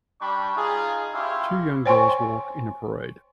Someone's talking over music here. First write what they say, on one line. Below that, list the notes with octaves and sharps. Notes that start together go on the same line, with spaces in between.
Two young girls walk in a parade.
G3 D4 G5 B5 C#6
D#4 F4 G#4
C#4 E4 F4 G4 F5
C5 C#5 G5 G#5 C6 C#6